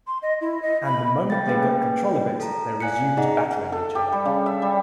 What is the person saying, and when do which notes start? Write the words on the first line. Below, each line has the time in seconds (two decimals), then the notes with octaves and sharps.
And the moment they got control of it, they resumed battling each other.
0.07 C6
0.22 D#5
0.41 E4
0.62 D#5
0.86 B5
1.30 F5 G5 A6
1.47 A3 A#3 C#4 G#4 B4 G5
2.40 A4 A#5
2.80 D5 F5 G#5 F#6 B6 C#7
3.17 D#4 G#4 D5 D#5 F#5 A#5
3.72 A4
3.95 G4
4.12 G3
4.25 C#3
4.46 E5
4.62 G3